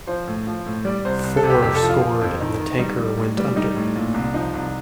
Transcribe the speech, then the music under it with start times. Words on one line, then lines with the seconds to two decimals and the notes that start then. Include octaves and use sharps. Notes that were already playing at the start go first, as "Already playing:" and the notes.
Four scored and the tanker went under.
0.07 F3 C5
0.27 A2
0.47 F3
0.66 A2
0.85 G3 D5
1.05 C2 C5
1.23 C2
1.37 A4
1.43 C3
1.50 G4
1.62 F2 G4
1.75 A4
1.83 F3
1.89 F4
2.01 F3
2.21 F2
2.40 D#3 D#4
2.60 D#3
2.79 G3 D#4
2.98 G3
3.17 A2
3.38 G3
3.56 G3 D#4
3.76 A2
3.96 A#2
4.14 C2
4.34 F3 D#4
4.53 C2